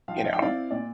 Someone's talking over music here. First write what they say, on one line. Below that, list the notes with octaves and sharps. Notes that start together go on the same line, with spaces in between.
You know?
F3 F5
G5
F5
G5
C4 E4 D5 F5
A#2 D5